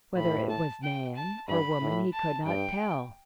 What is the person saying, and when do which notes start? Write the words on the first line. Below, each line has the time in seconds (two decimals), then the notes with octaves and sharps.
Whether it was man or woman he could not tell.
0.16 A2 B5
0.49 A5
0.83 G5
1.16 A5
1.48 G2 B5
1.81 A2
2.13 A5
2.46 G2 G5